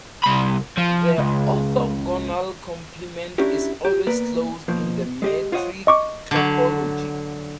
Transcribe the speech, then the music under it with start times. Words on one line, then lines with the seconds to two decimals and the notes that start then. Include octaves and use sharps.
The orthogonal complement is always closed in the metric topology.
0.23 C2 B5
0.77 F3
1.18 C#2
3.38 C#4 D4 E4 F#4 G4 A#4
3.85 G4
4.07 A#3 B3 A#4 B4 D5
4.68 B2 F3 A#3
5.22 G#3 G4 D#5
5.52 F4 C5 C#5 D#5 F5 F#5
5.87 D#5 C#6 D6
6.31 D3 F#3